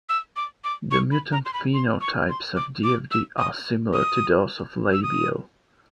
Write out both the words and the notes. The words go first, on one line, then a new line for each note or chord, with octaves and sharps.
The mutant phenotypes of "Dfd" are similar to those of labial.
E6
D6
D6
C#6
B5
A#5
C6
B5
C6
C#6
C6
D6
D6
E6
D#6
D#6
E6
D#6